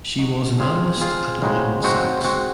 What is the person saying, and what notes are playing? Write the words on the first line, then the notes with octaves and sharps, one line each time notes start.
She was an analyst at Goldman Sachs.
G#3 D#4 F#4
G#3 C4 F4 G#4
G#3 C4 F4 G#4
C#3 G#3 C4 D#4 F#4
C#3 G#3 C4 D#4 F#4
G#3 C4 F#4